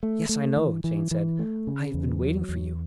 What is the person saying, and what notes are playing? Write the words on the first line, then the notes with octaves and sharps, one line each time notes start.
"Yes, I know," Jane said, "I have been waiting for you."
A3
A3
E3
E3
E3
A3
C#3
E2
F#3
E2